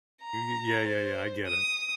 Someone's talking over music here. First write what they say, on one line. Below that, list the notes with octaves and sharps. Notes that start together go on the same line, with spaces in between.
y y yeah, yeah, yeah, I get it.
A#5
C5
D#6